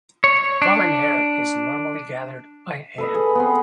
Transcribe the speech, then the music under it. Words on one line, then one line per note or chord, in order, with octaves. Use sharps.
Fallen hair is normally gathered by hand.
C#5
D4
A4 B4 D#5
G#4
B3 C4